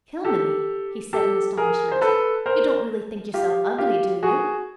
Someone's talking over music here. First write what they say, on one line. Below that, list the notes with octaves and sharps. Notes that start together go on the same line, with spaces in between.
"Kilmeny," he said in astonishment, "you don't really think yourself ugly, do you?"
G4 A4
G4 A4
G#4 A#4
C5
A4 B4
A#4 C5
F4 G4
F4 G4
F#4 G#4